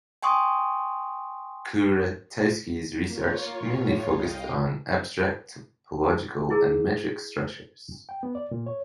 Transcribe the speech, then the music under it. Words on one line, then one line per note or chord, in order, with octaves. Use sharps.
Kuratowski's research mainly focused on abstract topological and metric structures.
G5 G#5 C6 C#6 D#6
A#3 F4 C#5
A2
C2 D#5 F5 G5
E4 G#4 A#4
G5
B3
D5
A#2
C#5